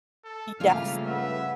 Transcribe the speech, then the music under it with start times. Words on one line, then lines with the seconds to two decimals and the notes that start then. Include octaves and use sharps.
Y yes.
0.25 A4
0.60 C#3 G3 A3 A#3 C#4 F4 F6
1.07 B4 E5 F#5